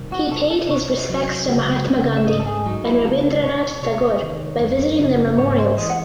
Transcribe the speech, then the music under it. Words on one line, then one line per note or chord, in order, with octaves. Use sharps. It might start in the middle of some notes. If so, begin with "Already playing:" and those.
He paid his respects to Mahatma Gandhi and Rabindranath Tagore by visiting their memorials.
Already playing: C2 D#3
F#4
C3 A4
A4
C3 C#5
F#3
C#2
C#3
E5
G#2 D#5
A4
G#4
F#3 D#4
E4
C#2 A4
C3 C#5
C3 C#5
D#3
F#2
C#3
G#2 C#5
C5
E3 D#5
F#5